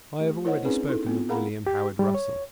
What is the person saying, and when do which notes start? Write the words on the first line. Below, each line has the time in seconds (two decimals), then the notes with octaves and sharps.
I have already spoken of William Howard Russell.
0.20 A3 G4
0.45 E4 A#4 C5 C#5 D#5 F#5
0.65 C4 C#4 D#4 G#4 B4
0.88 D#4 E4 A4
1.06 B3 C4 F4
1.29 G#4 A#4 F5 F#5 A#5 B5
1.67 G4
1.99 G3
2.14 C#5